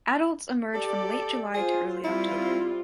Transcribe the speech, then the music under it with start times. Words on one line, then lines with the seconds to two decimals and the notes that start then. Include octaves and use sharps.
Adults emerge from late July to early October.
0.74 G4 A4 D5
1.55 F4 G#4 C5
2.05 G3 C4 E4 F4